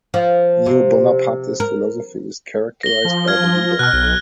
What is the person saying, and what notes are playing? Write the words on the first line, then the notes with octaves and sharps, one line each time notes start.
Neo-Bonapartist philosophy is characterized by the leader.
F3
C3
A#4
A#6 G7
F3
F6 G#6
B2 F6 F#6
B1